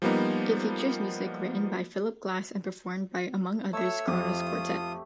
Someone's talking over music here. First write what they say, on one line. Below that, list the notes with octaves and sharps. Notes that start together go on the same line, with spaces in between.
It features music written by Philip Glass and performed by, among others, Kronos Quartet.
F3 G3 A#3 B3 D#4
A3 C#5 E5 E6
F2 F4 G4 D#6